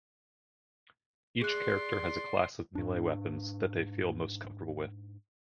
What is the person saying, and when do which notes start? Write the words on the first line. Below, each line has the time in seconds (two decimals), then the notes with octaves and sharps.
Each character has a class of melee weapons that they feel most comfortable with.
1.42 G#4 D5 C6 F#6
2.75 G#2 D4